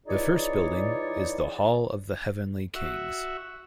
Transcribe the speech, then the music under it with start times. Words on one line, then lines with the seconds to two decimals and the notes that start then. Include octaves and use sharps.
The first building is the "Hall of the Heavenly Kings".
0.07 E3 D#4 F4 G#4 C#5 D5
2.75 F#4 E5